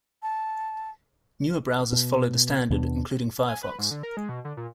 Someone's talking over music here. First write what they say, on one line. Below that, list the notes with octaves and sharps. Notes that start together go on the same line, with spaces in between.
Newer browsers follow the standard, including Firefox.
A5
B2
D#2 B2 B3 D4
G#5
B4
G#2
D3
A#4
G#3
B2
D3
A#2